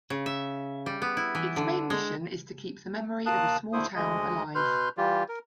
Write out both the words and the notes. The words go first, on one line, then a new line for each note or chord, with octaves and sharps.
Its main mission is to keep the memory of a small town alive.
C#3
E5
G3
B3
E4
E3
D3
G#3
D#2 A#4 F5 A5 D#6 F#6
D#2 D3 A3 E4 C5 D#6
D2 G#3 D#5
B2 B4 C6 F6 G6
E3 G3 F4 G4
A#4